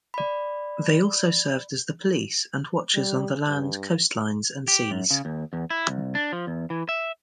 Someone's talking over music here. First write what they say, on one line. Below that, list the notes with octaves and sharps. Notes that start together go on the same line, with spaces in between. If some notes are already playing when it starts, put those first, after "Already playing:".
They also served as the police and watchers on the land, coastlines and seas.
D5 B5
G3
G2
G4
F#2
C#3
D#2
E2
E4
C2
D4
F3
E2
E3
E5